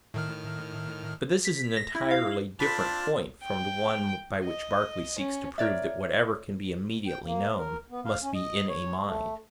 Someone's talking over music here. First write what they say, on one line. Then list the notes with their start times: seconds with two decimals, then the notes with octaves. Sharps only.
But this is an entirely different point from the one by which Berkeley seeks to prove that whatever can be immediately known must be in a mind.
0.14 A2 D#3 F6
1.45 B6
1.76 A#6
1.95 E4
2.11 F5
2.60 C4 D4 F4 A5 B5
3.43 G5
4.44 D#5
5.18 C#4
5.58 A#4 C#5 D5 E5
7.07 G5
7.25 A#3
7.58 A#4
7.90 B3
8.05 F5
8.22 C#4
8.35 D#5
8.68 C#5
9.06 A3